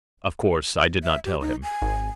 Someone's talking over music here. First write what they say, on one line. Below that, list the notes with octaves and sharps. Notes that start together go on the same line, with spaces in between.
Of course I did not tell him.
E5
G4
D#4
G#5
G#1